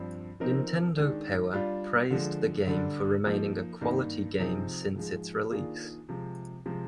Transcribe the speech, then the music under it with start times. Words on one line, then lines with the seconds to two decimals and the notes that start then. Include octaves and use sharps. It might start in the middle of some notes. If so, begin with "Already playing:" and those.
"Nintendo Power" praised the game for remaining a quality game since its release.
Already playing: G2 F3 C4
0.40 F3 C4 D#4 A#4
0.97 D#3 G#3 D4
1.53 G3 D4 F4
2.11 D3 F3 G#3
2.67 D3 G3 D4
3.24 F3 A#3 D#4
3.81 G2 D#3 A#3 D#4
4.38 C3 F3 C4 D#4 G#4
4.95 G#2 F3 G#3
5.52 D#3 A#3 D4 F4 G#4
6.09 C3 F3 G#3
6.66 C3 F3 G#3